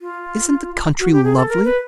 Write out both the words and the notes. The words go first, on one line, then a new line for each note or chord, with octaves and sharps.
Isn't the country lovely!
F4
F#4
G4
G#4
A4
A#4
B4